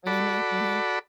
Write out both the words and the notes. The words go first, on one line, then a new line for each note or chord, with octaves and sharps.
Mhm, mhm.
F#4 A4 D5 B5